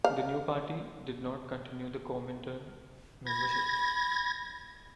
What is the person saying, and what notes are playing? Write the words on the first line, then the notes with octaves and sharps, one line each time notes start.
The new party did not continue the Comintern membership.
F5
B5 G#6 A#6